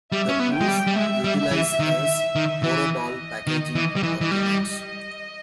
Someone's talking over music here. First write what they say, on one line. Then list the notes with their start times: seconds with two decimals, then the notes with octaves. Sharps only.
The proof utilizes horoball-packing arguments.
0.12 G3 E5
0.29 C#4
0.40 B3
0.54 G5
0.61 G#3
0.68 G3
0.87 G3
0.96 G#3 E5
1.24 G3
1.51 E3
1.80 D#3
2.35 D#3
2.63 E3 D#5
3.47 D#3
3.75 E3
3.96 G3
4.03 E3
4.21 E3
4.31 G3